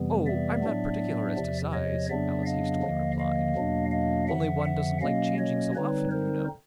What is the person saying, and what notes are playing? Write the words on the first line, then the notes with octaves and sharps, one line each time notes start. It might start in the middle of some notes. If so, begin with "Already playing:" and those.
'Oh, I'm not particular as to size,' Alice hastily replied; 'only one doesn't like changing so often, you know.'
Already playing: F2 C3 E3 G3 B3
D5 E5
A2 F#3 B3 D4
E2 C3 F3
C#5 D#5
F2 C#3 F#3 B3 D4 D5 E5
D#5 F5
D#2 D3 F3 A#3
D#5 F5
E2 B2 F#3 A#3 D4
D#5 F5
F2 D3 F3 E5 F#5
E5 F#5
B2 F#3 A#3 C#4 D#5 F5
C#5 D#5
D3 G3 C4 D#4 B4 C#5
A#4 C5